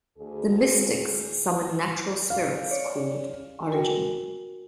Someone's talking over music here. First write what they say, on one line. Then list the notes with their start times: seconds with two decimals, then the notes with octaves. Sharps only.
The Mystics summon natural spirits called "Origin".
0.18 D2 G#4
2.30 F5
2.71 C#5 D5
3.72 F#4 A#4 G5 G#5